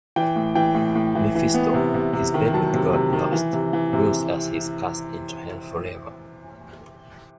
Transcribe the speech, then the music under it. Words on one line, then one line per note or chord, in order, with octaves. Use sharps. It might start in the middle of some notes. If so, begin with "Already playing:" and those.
Mephisto, his bet with God lost, wails as he is cast into hell forever.
E3 G5
A2
E3 G5
A2
A2
E3
E3
B3
C3
C3
C3
D#3
F#3 A5
C3
C3
D#3
E3
C3
E3
C3